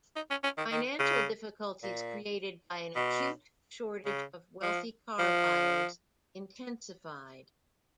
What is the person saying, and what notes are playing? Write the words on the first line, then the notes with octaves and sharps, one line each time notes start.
Financial difficulties created by an acute shortage of wealthy car buyers intensified.
D#4
C#4
C#4
D#3
D#3
C#3
A#2
B2
C#3
F3
F3